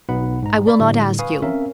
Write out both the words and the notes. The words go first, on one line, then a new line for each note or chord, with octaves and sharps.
"I will not ask you."
B1 B2 B3 D#4 F#5 B5
G#2 A#5
D5 B5
A2 D3 G3
B4 F5 G#5 C#6 D#6
C4 C#4 A#4 E5 F5